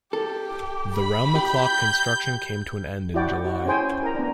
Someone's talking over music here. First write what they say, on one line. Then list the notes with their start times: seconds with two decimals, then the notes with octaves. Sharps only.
The round-the-clock construction came to an end in July.
0.13 G4 A4
0.95 B5
1.35 G4 G6
3.14 E4 F#4 D5 G5
3.45 F#4
3.65 C#4 E4 G#4 C5 G5 G#5
4.03 A#4 A#5
4.15 B3 D4